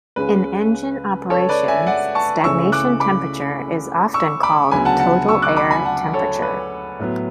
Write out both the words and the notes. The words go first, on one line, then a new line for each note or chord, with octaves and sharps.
In engine operations, stagnation temperature is often called total air temperature.
C#2 C#3 G#3 C#4 B4
A4 C#5
B4 D5
E5 G#5
D5 F#5
A5 C#6
C#2 C#3 E3 A3 C#4 C#6 E6
D6 F#6
B5 D6
C#6 E6
B5 D6
D2 C#3 F#3 B3 G#5 B5
F#5 A5
F#5 A5
C#6 E6
D6 F#6
B5 D6
G#5 B5
F#5 A5
A4 C#5
B4
A2 F#3 B3